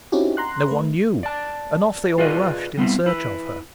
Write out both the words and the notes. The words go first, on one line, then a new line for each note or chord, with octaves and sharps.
No one knew, and off they all rushed in search of her.
C4 C#4 D#4 E4 F#4 G4
A#5 C6 F#6
A3 B4
D5 A5
F4 G#4 A#4 B4 D5 D#5
G3 B3 C4 E4
E4 B4